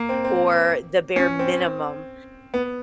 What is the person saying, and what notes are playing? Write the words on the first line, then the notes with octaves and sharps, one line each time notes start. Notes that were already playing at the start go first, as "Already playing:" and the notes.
or the bare minimum.
Already playing: A#3
C4
C4
C#4
C4
B3